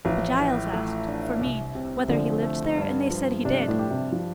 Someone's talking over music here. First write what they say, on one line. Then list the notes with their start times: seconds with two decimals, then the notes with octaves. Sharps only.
But Giles asked, for me, whether he lived there, and they said he did.
0.05 A1 F3
0.40 A2
0.73 A3
1.07 D4
1.41 C2
1.75 C3
2.08 D3 F3
2.43 A3
2.77 G2
3.10 F3
3.45 C3 D4
3.68 A2
3.79 G4
3.90 C3
4.12 F3